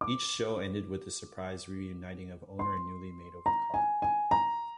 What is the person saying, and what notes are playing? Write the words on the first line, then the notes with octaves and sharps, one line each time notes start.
Each show ended with the surprise reuniting of owner and newly made-over car.
D6
C6
A#5
G#5
G#5
A#5